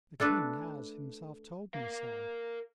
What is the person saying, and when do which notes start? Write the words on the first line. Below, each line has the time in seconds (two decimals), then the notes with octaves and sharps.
"The king has himself told me so."
0.20 A3 D4 A4 B4
1.74 A#4 F5